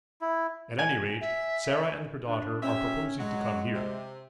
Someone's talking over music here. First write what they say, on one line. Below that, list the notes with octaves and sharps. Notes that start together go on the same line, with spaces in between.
"At any rate, Sarah and her daughter are proposing to come here."
E4
G#5
E5
D4
C#4 G4 E5
F#3 G#3 F#4
C3